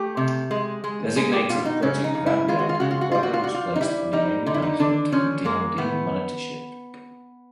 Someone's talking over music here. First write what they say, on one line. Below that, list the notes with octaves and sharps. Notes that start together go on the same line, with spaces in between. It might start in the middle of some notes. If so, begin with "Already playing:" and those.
Designated Project Vanguard, the program was placed under Navy management and DoD monitorship.
Already playing: A3 G4
C3
G#3
G#3
G#3 G#4
G4
B2 F4
D#4
C#3 C#4
D#4
C#3
E4
G#3 F4
F#4
F4
C#3 F#4
F4
F#4
G3 F4
F#4
F4
G3 F#4
F4
D#4
G3 E4
G3 D#4
D3 D#4
E4
D#4
D3 D4
F3 C#4
G#3 A#3
A2 B3